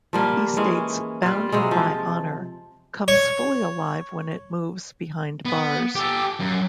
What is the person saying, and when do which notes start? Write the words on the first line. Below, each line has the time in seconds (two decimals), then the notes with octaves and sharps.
He states "Bound By Honor" comes fully alive when it moves behind bars.
0.13 F3 G3 A#3
0.57 E3 G#3 C#4
1.22 G3 F4
1.52 C3 F#3 G#3
1.71 F3
3.08 C#5
5.45 B3
5.95 G4 A4
6.40 F#2